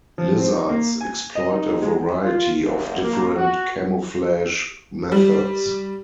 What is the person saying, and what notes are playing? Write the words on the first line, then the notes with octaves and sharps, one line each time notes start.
Lizards exploit a variety of different camouflage methods.
F3
C4
D#4
A#3
G#5
D#5
D#4
G#3
F4
F#1
A#3
F#4
G3